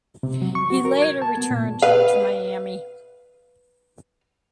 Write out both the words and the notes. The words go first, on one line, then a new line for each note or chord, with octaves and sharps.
He later returned to Miami.
C3
F#3
C#6
F#4
A#4
G#6
A5
B3
A#2
B4 F5